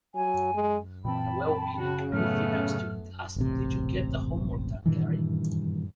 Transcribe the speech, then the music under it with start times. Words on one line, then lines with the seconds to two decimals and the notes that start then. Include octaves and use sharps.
When a well-meaning new female student asked, Did you get the homework done, Gary?
0.15 F#3 G#5
0.55 G#3
1.05 A#2 E3 C4 G5 A5 B5
1.78 C#3 F#4
2.13 A2 F#3 A3 B3 F6
3.36 E1 A1 C3
4.86 G2 A#2 D#3 E3